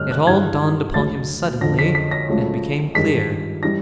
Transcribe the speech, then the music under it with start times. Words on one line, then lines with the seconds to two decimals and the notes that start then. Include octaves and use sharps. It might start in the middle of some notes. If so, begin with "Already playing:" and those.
It all dawned upon him suddenly and became clear.
Already playing: G2 D3 F#3 A3 F6 F#6
0.11 F#6
0.27 G2 E3 G#3 G#6
0.94 D2 D3 F#3 A6
1.61 F2 D3 F3 A#6
1.79 B6
1.95 B6
2.11 A#6
2.28 C#2 C#3 F#3 A3
2.95 G2 D#3 G#3 B6
3.63 E3 G3 A#6